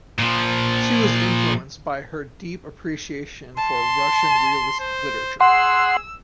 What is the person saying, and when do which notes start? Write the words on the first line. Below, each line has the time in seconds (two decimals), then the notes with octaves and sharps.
She was influenced by her deep appreciation for Russian realist literature.
0.19 A#2 F3
3.57 A5 C6
4.80 C5
5.41 G#4 F#5 C6 E6